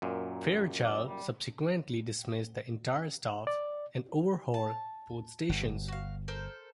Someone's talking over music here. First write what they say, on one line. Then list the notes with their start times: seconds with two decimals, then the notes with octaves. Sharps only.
Fairchild subsequently dismissed the entire staff and overhauled both stations.
0.02 F#2 A#2
0.85 D5
1.07 G3
3.47 D5
4.54 A5
5.49 G1
5.88 F#4 F5
6.28 A4 A#4 C5